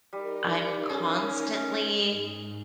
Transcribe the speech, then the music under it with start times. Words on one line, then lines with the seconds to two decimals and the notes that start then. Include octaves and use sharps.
I'm constantly
0.13 G3 D#4 A#4
0.89 C#4 G#4
2.10 G#2